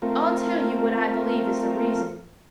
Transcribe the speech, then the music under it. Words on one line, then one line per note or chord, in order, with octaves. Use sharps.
I'll tell you what I believe is the reason.
A3 C4 F4 A#4